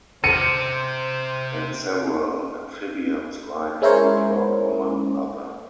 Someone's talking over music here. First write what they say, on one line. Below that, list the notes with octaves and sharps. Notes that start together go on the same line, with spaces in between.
And several amphibians like the frog, among other.
C3 C5 C#7 D#7
G#3 C#4 E4 A#4 C5 C#5